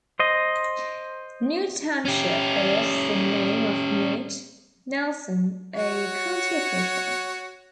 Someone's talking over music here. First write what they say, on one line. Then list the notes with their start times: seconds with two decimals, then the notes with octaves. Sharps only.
Knute Township bears the name of Knute Nelson, a county official.
0.19 C5 D#5
2.05 C#4 G4
5.75 F#4 C#5